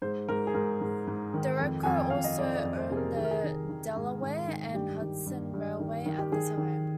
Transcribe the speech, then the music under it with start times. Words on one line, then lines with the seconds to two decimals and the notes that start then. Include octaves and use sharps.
Dereco also owned the Delaware and Hudson Railway at the time.
0.02 G#2 C5
0.28 G#2 A#4
0.47 G#4
0.54 G#2 A#4
0.81 G#2
1.07 G#2
1.34 D#3
1.60 F2
1.83 F2 G#5
1.97 G5
2.10 F2 F5
2.24 D#5
2.38 F2 D5
2.53 D5
2.57 D#5
2.64 F2
2.77 C5
2.91 C3 G#4
2.97 A#4
3.17 D#3 G#4
3.24 A#4
3.31 G#4
3.44 D#3
3.69 D#3
3.96 G#2
4.22 G#2
4.47 D#3
4.74 G2 G4
5.01 D#3
5.26 G2
5.54 G2
5.80 D#3
6.06 D#3
6.18 G4
6.32 D#3 G#4
6.57 D#3